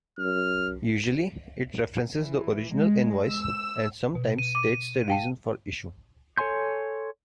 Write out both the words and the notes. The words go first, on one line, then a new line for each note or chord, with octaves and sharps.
Usually it references the original Invoice and sometimes states the reason for issue.
F#2 F6
E3
G#3
E6
B2
D#7
D6 D#7
F5 G5 A5
A4 C#5 G#5 C6 G6